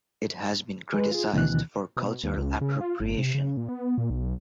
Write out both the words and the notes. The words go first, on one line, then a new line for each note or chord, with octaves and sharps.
It has been criticized for cultural appropriation.
G#3 B4
F4 G#4
D2 B2 D#3 E3 F#6
B2
D#2
C#2
C#3
F4
G1
C3
C#3
A#2
B3
A#2
B1